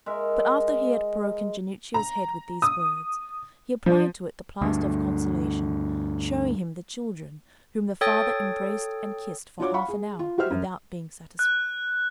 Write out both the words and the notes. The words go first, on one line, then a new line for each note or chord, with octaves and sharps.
But after he had broken Jannuccio's head with these words, he applied to it the plaster of consolation, showing him the children, whom the father embraced and kissed for half an hour without being satisfied.
G#3 A#4 E5
A#5
D#6
F3
D2 G2
A4 C#5 G5 D#6 A6
D4 F4 F#4 C#5 D6
F5 F#5 B5 C#6
G#4
F4
F#4 G4 C5 E5 F6
F#2
F#6